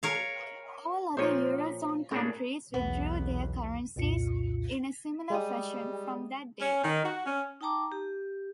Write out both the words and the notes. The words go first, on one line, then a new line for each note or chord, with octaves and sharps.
All other eurozone countries withdrew their currencies in a similar fashion, from that date.
A#4 C#5 F5
A#2 F3 C5 C#5
A2 C#3 D4 A#4
B1 E2 B3
C2 F2 A#2 F4 C#7
G3 G#3 G4 D#6
C#4
D#3
F#4
C#4
D#4 G5 A5 A#5 D6 D#6
G4